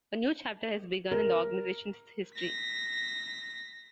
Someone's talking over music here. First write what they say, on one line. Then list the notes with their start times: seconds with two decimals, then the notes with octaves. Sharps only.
A new chapter has begun in the organization's history.
1.12 A#4
2.36 A#6 B6